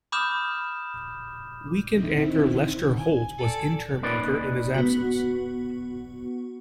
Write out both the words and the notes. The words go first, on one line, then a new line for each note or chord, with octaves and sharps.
Weekend anchor Lester Holt was interim anchor in his absence.
B5 D6 D#6 F6 G6 E7
D3 D#3 C4 D#4 E4
G#5
A4 D5
A#3 C#4 D#4 B4 D5
B3 F#4